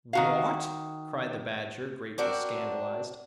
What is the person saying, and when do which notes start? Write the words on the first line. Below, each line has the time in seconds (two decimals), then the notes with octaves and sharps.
'What?' cried the Badger, greatly scandalised.
0.13 D#3 F#4 F5
2.18 C4 D4 F#4 A#4